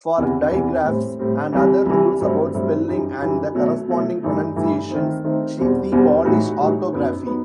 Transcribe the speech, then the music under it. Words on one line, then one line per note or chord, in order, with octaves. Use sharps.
For digraphs and other rules about spelling and the corresponding pronunciations, see Polish orthography.
E2 C3 E3
E2 C3 E3
A2 G3 C4
A2 G3 C4
C2 C3 E3
C2 C3 E3
G2 F#3 A3 C4
G2 F#3 A3 C4
F#2 E3 G3 D#4
F#2 E3 G3 D#4
B2 F#3 A3
B2 F#3 A3
G2 E3 A3 D#4
G2 E3 A3 D#4
D#3 A3 C4 D#4
D#3 A3 C4 D#4
E2 B2 G3 C4
E2 B2 G3 C4
A2 E3 G3 D#4 F#4
A2 E3 G3 D#4 F#4
F#2 F#3 B3 D#4
F#3 B3 D#4